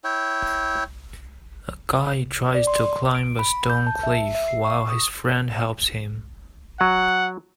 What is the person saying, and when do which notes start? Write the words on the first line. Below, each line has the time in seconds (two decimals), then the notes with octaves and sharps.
A guy tries to climb a stone cliff while his friend helps him.
0.04 E4 C#5 G5
2.55 D5
2.67 C6
3.15 D7
3.39 B5
3.70 G6
3.87 A5
4.03 E5
4.35 E5
4.48 C7
4.64 C#6
4.89 D#6
6.81 F#3 F#5